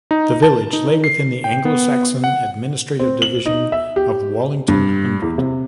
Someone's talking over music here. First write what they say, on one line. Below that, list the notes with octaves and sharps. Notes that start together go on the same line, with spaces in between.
The village lay within the Anglo-Saxon administrative division of Wallington hundred.
D#4
A5
D#4
C7
G5
B3
F#5
C4
F#7
D#4
E5
G4
G2
E2
C3